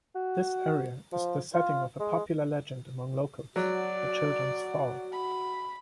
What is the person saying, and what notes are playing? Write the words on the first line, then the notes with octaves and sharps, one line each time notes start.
This area is the setting of a popular legend among locals, The Children's Fall.
F#4
F3
F4
G#3
F#3 F#4 D5
B5